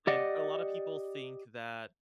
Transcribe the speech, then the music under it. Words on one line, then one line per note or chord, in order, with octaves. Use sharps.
And a lot of people think that,
G4 D5 D#5 F#5